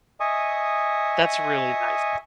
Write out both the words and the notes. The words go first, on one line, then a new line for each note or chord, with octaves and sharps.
That's really nice.
D#5 E5 G#5 C#6 D#6